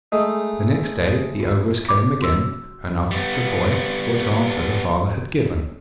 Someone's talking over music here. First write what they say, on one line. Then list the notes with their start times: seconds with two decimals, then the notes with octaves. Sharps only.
The next day the ogress came again, and asked the boy what answer the father had given.
0.12 G#3 A3 D#4
1.40 F4 F#4
1.89 B5 D6
2.21 F#4 C6 E6
3.11 G3 B3